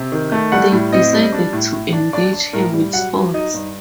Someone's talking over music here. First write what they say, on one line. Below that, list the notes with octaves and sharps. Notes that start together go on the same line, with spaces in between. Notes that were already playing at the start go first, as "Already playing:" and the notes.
They decided to engage her with sports.
Already playing: C3
D#3
A3
G3 F#5
A2
C4 D#5
G3
D4
A2
A2
D4
D4 D5
D4
A2 A#4
G3
F#3 F#5
F#3
D#4 D#5
G2